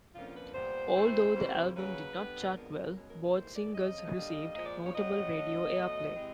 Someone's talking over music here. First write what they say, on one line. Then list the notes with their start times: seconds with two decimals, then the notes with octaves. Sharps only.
Although the album did not chart well, both singles received notable radio airplay.
0.15 F2 D3 F3 A#3 C#4 F4
0.35 B4
0.55 A#2 G3 B3 C5
0.95 G#2 E3 A3 C4
1.35 C3 E3 G3 A#3 C#4
1.75 C#3 F#3 A#3 C#4 B4
2.15 D3 G3 B3
2.55 F2 D3 F3 G#3 B3 A#4
2.95 B2 G#3 C#4
3.09 A#4
3.22 B4
3.35 G#2 E3 G3 A#3 C5
3.55 D5
3.75 F2 C#3 F3 D#5
4.15 D3 G3 A#3
4.55 A#2 F3 G#3 D#5
4.65 D5
4.86 C#5
4.95 C#3 F#3 A3 C4 D#5
5.35 D3 F#3 A3
5.76 B2 F#3 A3
6.15 C3 E3 G#3 C4